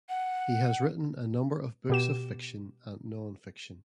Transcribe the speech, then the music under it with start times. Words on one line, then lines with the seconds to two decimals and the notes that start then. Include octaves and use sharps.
He has written a number of books of fiction and non-fiction.
0.09 F#5
1.90 B2 G4 E7